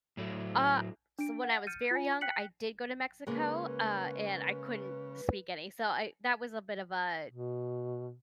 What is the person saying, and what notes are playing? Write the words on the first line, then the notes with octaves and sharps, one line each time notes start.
Ah, so when I was very young, I did go to Mexico, uh, and I couldn't speak any. So I that was a bit of a
A2 F#3 A3
D4 D7
F#5
F6 G6 A6 C#7 D#7
F4 G#5
G5 F#6 B6 C#7 F#7
C#3 G#3 A#3 B4
B2